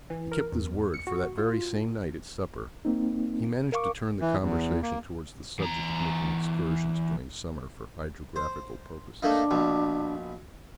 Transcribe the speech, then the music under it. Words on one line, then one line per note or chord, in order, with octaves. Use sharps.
He kept his word, for that very same night, at supper, he managed to turn the conversation towards the subject of making excursions during summer for hydrographical purposes.
E3
A#4
E2
C#7
F#4
F4
A#3 C4 D#4
A#4 F5 C#6 D6
E3
E2
A#3
E2 A#5
C5
A3 A#3 D4 D#4
A#1 B2